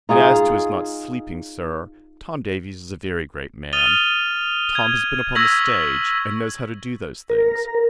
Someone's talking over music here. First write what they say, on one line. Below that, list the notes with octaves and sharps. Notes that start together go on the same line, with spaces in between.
And as to his not sleeping, Sir; Tom Davies is a very great man; Tom has been upon the stage, and knows how to do those things.
D#4 F4 G#4
D#6 F6 A6 D#7 F7 G7
G#6
C#6 E6 G#6 A#6 B6 F#7
A#4